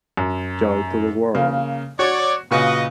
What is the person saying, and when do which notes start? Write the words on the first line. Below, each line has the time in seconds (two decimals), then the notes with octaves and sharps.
Joy to the world.
0.17 F#2
1.35 C#3 A#3
1.99 F#4 C#5 D5
2.51 A#2 C#3 C#4 F#4 B4 D#5